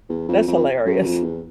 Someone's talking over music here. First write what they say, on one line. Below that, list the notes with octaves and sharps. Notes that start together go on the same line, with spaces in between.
That's hilarious.
E2
F2
F2
F#2
F2
E2